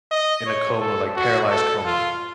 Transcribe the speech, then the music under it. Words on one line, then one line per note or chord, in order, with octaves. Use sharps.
in a coma, like, paralyzed coma.
D#5
C#5
A4
F#4
A4
F4